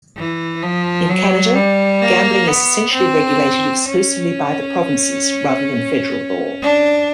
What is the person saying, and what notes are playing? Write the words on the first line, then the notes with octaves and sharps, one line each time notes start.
In Canada, gambling is essentially regulated exclusively by the provinces rather than federal law.
E3
F3
F#3
G3
A#3
B3
C4
C#4
D4